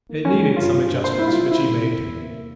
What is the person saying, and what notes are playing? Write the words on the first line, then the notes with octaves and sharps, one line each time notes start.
It needed some adjustments, which he made.
A#3
C#4
G3
G2 F4
G2
A#3 C5
E4
G3 F4
A#3 E4
C3
E2
A#3